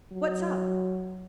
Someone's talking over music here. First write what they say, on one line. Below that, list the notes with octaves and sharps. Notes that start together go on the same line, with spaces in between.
What's up?
F#3